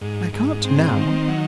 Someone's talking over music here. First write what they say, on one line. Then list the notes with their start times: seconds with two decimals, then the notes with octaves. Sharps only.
"I can't now."
0.01 G#2
0.33 G#2
0.65 C4
0.96 D#3
1.28 F#3